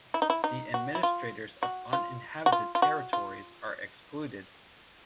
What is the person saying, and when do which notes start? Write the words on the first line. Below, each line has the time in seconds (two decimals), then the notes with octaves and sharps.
The administrators of uninhabited territories are excluded.
0.14 E4
0.22 D#4
0.30 E4
0.44 D#4
0.74 F#4
0.95 E4
1.03 F4
1.63 F#4
1.93 F4
2.46 F#4
2.52 F4
2.75 F4
2.82 F#4
3.13 F4